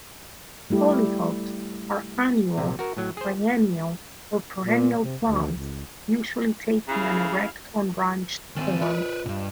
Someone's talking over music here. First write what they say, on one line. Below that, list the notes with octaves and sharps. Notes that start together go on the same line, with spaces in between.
Hollyhocks are annual, biennial, or perennial plants usually taking an erect, unbranched form.
G3 A3 E4 G4
A#1 C3
F#4 A#4
A2 F#3
G#4 C5
A#2
C3
D2
C#2
C#3 E4 F5
D#3 A#3 C4 G#5 A6 D#7
F4 A#4 B4 D#5
G2 A#2